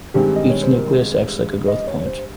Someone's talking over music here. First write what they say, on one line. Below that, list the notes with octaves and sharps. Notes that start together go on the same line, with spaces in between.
Each nucleus acts like a growth point.
G2 D#3 G#3 C4 G4
D#5
C#5
C5
A#4
G#4
D#5
C#5
C5